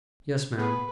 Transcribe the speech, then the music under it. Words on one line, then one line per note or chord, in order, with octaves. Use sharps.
'Yes, ma'am.
B3 G#4 B4